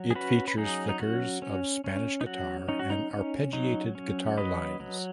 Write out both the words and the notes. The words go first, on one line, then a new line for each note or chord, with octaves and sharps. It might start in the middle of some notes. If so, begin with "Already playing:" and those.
It features flickers of Spanish guitar and arpeggiated guitar lines.
Already playing: F#3
G#4
C#4 F#4 B4
B4
F#3 D#4 G#4
D#4
C#4 F#4
C#4
C#4
D#4
F#3 F#4
C#4 D#4
F#4
D#4
C#4
F#3 D#4
C#4
F#3 B4 D#5
F#3